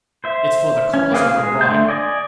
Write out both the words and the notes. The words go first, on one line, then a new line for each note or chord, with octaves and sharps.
It's for the cause of the right.'
C5 E5
C#4
A#3 C4 G#4 B4 F5
G#3 G#4
D3 A3 C6 G6
D5 D#5 G#5